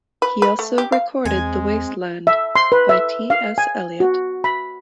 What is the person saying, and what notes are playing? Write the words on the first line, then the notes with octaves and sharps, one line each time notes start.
He also recorded "The Waste Land" by T. S. Eliot.
B4
B4
A3
G4
F5
E2 G#3 C4 G#5
E5
C6
B4
E5
F5
G#5
F#4
B5